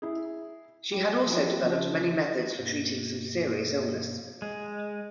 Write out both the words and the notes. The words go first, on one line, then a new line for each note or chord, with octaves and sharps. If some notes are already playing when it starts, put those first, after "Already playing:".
She had also developed many methods for treating some serious illness.
E4 G#4
G3
F3 A#3 C4 D#4 E4 F#4
C#3 F3
G2 B2 A#3
G#3